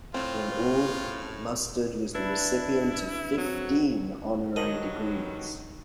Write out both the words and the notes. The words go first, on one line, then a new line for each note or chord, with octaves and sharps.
In all, Mustard was the recipient of fifteen honorary degrees.
A2 C4 F4
D4 E4 B4
F#3 C4
G2 D#3 F#3 A#4 D#5 A5 F#7